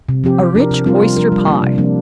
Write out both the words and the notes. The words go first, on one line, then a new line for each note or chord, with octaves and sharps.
A Rich Oyster Pie.
C3
F3 C4 G4
F3
D4 A#4
C3
G3 C4 F4 A#4
C3
F3 D4 A#4
G3
A#3 D4
C3
F3 A#3 D4